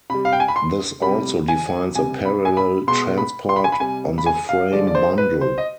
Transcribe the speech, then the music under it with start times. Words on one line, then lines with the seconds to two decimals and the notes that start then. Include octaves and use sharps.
This also defines a parallel transport on the frame bundle.
0.10 C3 G3 B5
0.25 F5
0.33 G5
0.40 G#5
0.48 B5
0.56 C6
1.02 C3 G3 B5
1.48 G#5
1.95 C3 G3 G#5
2.25 B5
2.45 G#5
2.57 B5
2.87 B2 G#3 C6
3.18 B5
3.49 C6
3.56 B5
3.64 G#5
3.72 B5
3.80 C3 G3 G#5
4.18 B5
4.26 G#5
4.49 F5
4.71 D3 F3 G#3 D5
4.87 D5
4.95 C5
5.18 B4
5.41 C5
5.58 D#5